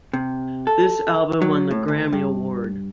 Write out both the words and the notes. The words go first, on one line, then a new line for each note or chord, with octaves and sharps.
This album won the Grammy Award.
C3
A4
F#3
A2
D2
G2